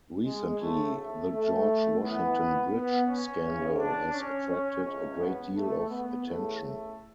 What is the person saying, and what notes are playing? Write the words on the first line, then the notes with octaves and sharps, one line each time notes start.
Recently, the George Washington Bridge scandal has attracted a great deal of attention.
G#3
D2 C#3 E3 A3
A3
A3
F#2 E3 B3
B3
C#4
E2 C#3 E3
D4
C#4
C#4
C#2 C#3 E3 C#4
B3
A3
B3
E2 C#3 E3 A3
A3